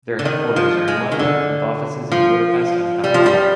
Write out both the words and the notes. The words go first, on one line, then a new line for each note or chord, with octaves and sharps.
Their headquarters are in London, with offices in Budapest and Kampala.
D3
D#3
F3
G#3
D#3
D3
F3
G3
F3
G3